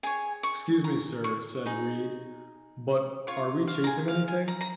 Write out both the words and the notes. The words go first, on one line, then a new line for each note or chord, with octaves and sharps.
"Excuse me, sir," said Read, "but are we chasing anything?"
G#4 C#5 G#5
C#6
A#5
C#6
D#4 G#4
F4 C#5 C#6
F5
A#5
G#5
F5
G#5
A#5
A#5